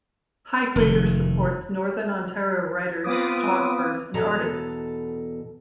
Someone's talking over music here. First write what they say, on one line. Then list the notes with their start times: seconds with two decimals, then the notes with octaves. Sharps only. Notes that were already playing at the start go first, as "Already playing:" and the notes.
"HighGrader" supports northern Ontario writers, photographers and artists.
0.76 F1 D#3
3.04 B3 C4 F4 B4 D6 D#6
4.14 E2 B2 A4 A#5